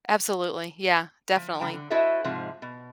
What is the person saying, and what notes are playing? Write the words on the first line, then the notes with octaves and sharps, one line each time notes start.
Absolutely, yeah, definitely.
F3
D3 G3 G5 A#5
D3
E4 F#4 A4 C5 D#5 E5
G#2 C3 F3 G#3
B2